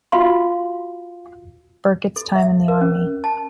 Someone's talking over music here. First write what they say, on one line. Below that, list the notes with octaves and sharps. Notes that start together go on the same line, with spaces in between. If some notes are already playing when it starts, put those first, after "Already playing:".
Burkett's time in the Army.
F4 F#4 F5 C6
A4
E5
A#4
C#4
A5